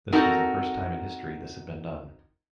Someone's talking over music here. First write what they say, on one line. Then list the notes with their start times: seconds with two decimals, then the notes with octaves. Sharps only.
This was the first time in history this had been done.
0.12 C4 D#4 F#4 A4 A#4